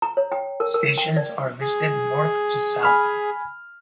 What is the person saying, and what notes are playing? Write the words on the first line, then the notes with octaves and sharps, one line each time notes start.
Stations are listed north to south.
A#5
C#5
G5
A#4
A#4
G5
D5
G#4
G#5 B5 F6